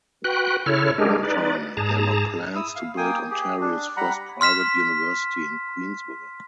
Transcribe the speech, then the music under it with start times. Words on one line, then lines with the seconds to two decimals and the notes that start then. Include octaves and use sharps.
At one time, there were plans to build Ontario's first private university in Queensville.
0.24 F#4 B4 G5 F#6
0.66 C#3 E4 A4 C#5 F6
0.98 G#3 D4 G4 G#4 A#4
1.23 D#4 B4 D5
1.77 G#2 G#4 A5 A#5
2.55 E4 D#6 E6
2.76 F5
2.97 A#3 G5 G#5 D#6
3.31 G4 G#4
3.61 D4
3.97 G3 F#5 A#5 B5
4.41 C6 F6 B6 E7